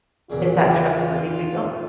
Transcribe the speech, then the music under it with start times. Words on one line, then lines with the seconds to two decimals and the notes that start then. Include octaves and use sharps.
is that trust really rebuilt?
0.30 E2 A#2 C#3 F4